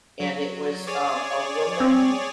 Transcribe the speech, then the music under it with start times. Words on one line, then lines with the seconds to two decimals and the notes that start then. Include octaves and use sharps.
and it was, um, a woman
0.20 F#3
0.87 G#4 C#5 D5
1.80 C4